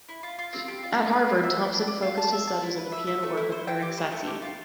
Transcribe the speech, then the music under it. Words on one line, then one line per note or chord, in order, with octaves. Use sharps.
At Harvard, Thomson focused his studies on the piano work of Erik Satie.
E4
F4
F4
C4
G4
F4
A3
B4
C4
E5
E4
D4
D4
F4
A5
E5
A5
E4
B4
E5
E5
A3
E4
C5
G5
G4
C5
A3
G4
F4